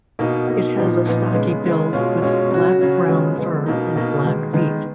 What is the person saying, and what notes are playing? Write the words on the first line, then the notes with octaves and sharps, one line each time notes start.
It has a stocky build with black-brown fur and black feet.
B2 A#3 D#4
B2 A#3 D#4
A#2 F3 B3 D#4
A#2 F3 B3 D#4
C#3 G#3 B3
C#3 G#3 B3
B2 G#3 C#4 F4
B2 G#3 C#4 F4
C#3 F#3 C#4 F#4
C#3 F#3 C#4 F#4
C#3 F3 G#3 B3
C#3 F3 G#3 B3
B2 A#3 D#4
B2 A#3 D#4
D#3 G#3 B3
D#3 G#3 B3